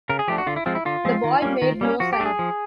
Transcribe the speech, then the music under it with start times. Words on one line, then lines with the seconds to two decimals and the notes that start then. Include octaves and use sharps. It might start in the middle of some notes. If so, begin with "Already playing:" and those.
The boy made no sign.
0.09 C#3 A#4
0.19 G#4
0.28 F3 A3 D4 G4
0.38 F#4
0.47 D3 F4
0.56 E4
0.66 F3 G#3 C4 F4
0.75 E4
0.85 D3 F4
1.05 F3 G#3 C4
1.24 D#3
1.42 G3 A#3 C#4
1.62 D#3
1.81 G3 A#3 C#4
2.00 F3 F#4
2.13 G4
2.20 A3 D4
2.26 G#4
2.39 F3